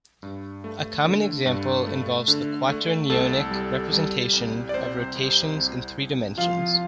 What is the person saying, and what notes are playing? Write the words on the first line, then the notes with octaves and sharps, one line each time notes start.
A common example involves the quaternionic representation of rotations in three dimensions.
G2
A3
D3
G2
A3
D3
A3
C2 A4
G3
G3
C2
D5
C3 C5
C2
C2
C2
F3 F4 F5